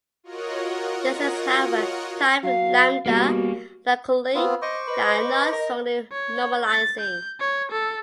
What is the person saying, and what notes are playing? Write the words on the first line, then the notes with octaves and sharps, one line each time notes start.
There exist, however, typed lambda calculi that are not strongly normalizing.
F4 F#4 A#4 C#5 D#5 F#5
F#3 F5
B2 G3 A#3 F#4
B3 C4 F4
C5 D#5 C#6 D6
B4 D#5
A#4
C#5
A6
G6
C#5
A4